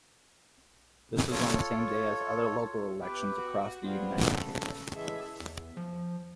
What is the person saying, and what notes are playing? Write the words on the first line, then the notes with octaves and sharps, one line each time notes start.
This was on the same day as other local elections across the United Kingdom.
F4 A4 C#5
B3 G4 B4 E5 G5
F#4
G3 B3 F4 G#4 C5 F#5
C#3 A4
A2 E3 G#3 G#4 A4 E5
E2
F3